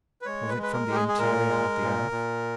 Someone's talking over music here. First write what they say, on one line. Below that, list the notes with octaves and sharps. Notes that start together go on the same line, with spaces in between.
Was it from the interior of the earth?
B4
G#3 C#5
B4
G#3
B4
A#4
G#3 G4
G#4
G#4
A#2 A#4
G#3
A#2
A#2